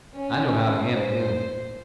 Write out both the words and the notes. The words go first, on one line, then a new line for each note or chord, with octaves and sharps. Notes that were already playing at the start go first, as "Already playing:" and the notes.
I know how to handle him.
C#4
C5